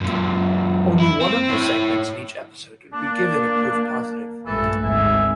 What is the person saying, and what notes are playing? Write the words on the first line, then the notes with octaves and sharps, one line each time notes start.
Only one of the segments in each episode would be given a proof positive.
F#2 A#2
E4
C4
E4 C#5
A#3 D4
A#1 G2 E3 A3 A4
G#1 D2 E5 G#5